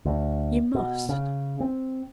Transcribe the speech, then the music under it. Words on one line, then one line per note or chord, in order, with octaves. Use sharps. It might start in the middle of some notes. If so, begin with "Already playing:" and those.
You must.
D2
B2
C#3
C4